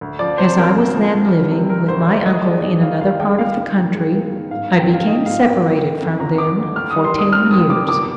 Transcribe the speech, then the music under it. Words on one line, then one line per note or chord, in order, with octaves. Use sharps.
As I was then living with my uncle in another part of the country, I became separated from them for ten years.
D2
F3 D5
C3 C5
C4 A#4
D2
F3
D2
G3
C3
C4 A#4
D2 C5
G3 D5
D#2 D#5
G#3 D5
D#3 D#5
D#4 F5
D#2 F5
G#3 G5
G1 F5
D#3
G2 G5
G#3
G1
D#3
G#2 F5
C4
G5
G3 F5
D#4 D#5
G#2 F5
C4 G5
G1
D3
F2
G1 A#5
G1 D6
D3
D#2 F6
G3 D#6
C6
D#3 D#6
C4 F6
D#2 D#6
G3 D6
G1 D6